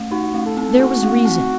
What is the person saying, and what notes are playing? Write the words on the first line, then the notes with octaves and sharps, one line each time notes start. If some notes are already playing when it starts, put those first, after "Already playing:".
There was reason.
Already playing: A3
D#4 F#4
A3
A4
C4
C4 F#4
A3
C4